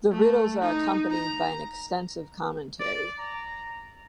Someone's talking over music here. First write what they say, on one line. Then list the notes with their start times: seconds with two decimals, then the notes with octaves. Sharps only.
The riddles are accompanied by an extensive commentary.
0.11 A3
0.62 D#4
1.11 A#5
2.79 D5
3.19 A#5